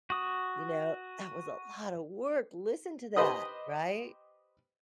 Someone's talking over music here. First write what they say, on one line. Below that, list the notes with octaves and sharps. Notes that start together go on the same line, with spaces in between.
you know, "That was a lot of work, listen to that," right?
F#4 D#6
G4 B4 C5 D#5 B5 D#6